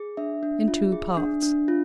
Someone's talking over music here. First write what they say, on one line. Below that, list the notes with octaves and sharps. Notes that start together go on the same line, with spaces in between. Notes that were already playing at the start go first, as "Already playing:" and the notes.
In Two Parts.
Already playing: G#4
D4 E5
D4
F4
G#4
D4
D4
F4